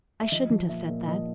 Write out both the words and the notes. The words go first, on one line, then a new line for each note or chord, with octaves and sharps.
I shouldn't have said that.
E5
F3 D#5
F3
A#2 E5
A#2
F3 D#5